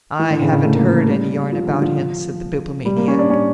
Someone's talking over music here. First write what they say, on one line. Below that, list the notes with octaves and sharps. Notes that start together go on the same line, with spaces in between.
"I haven't heard any yarn about him," said the Bibliomaniac.
E3
D3
C#3
C#3
A3
A#3
A#3
A3
G3
F3
D3
F3
G3
A#3
C#4
D4
C#4